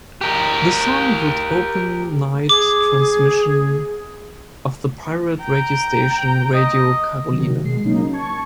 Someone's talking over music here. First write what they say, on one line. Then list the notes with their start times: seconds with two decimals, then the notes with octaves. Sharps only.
The song would open night transmission of the pirate radio station Radio Caroline.
0.21 G4 A#4
2.49 G#4 D6
5.42 G5 A#5
6.54 D#5
7.29 C3 D#3 F#3
7.63 B2 G#3 C7
7.85 C#3 F#3 A#3 C#4 D#4
8.12 A5 C#6 G#6